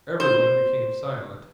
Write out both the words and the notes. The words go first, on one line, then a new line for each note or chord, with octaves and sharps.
Everyone became silent.
C5